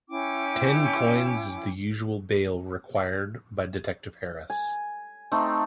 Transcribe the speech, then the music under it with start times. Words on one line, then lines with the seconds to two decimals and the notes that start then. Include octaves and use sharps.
Ten coins is the usual bail required by Detective Harris.
0.09 C#4 E4 G5 D6
4.50 G#5
5.32 A3 C4 D#4